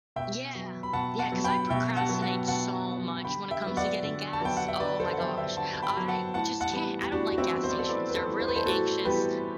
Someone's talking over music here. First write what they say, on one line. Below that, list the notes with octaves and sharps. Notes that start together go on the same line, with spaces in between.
Yeah. Yeah, cause I procrastinate so much when it comes to getting gas. Oh my gosh, I just can't. I don't like gas stations, they're really anxious
B2 E5 G5
F#3 B3
B5
B2 F#5 A5
F#5 A5
F#3 B3
G5 B5
B2 E5 G5
F#5 A5
F#3 B3
F#5 A5
B2 F#5 A5
F#3 B3
D3 G5 B5
E5 G5
F#3 B3
D5 F#5
D3
A5
F#3 B3 G5
F#5
E5
D3 B4 D5
A4 C5
F#5
F#3 B3 C5 E5
E5 G5
D3 F#5 A5
A5
G5 B5
F#3 B3
F#5 A5
A2 F#5 A5
F#5 A5
E3 G3 B3
G4
A2 D4 F#4
F#4
C4 E4
E3 G3 B3
C5
D5
A4 C5
A2 B4 D5
B4
A4 C5
E3 G3 B3
C5
B4
A4 C5
A2 F#4 A4
E3 G3 B3 G4 B4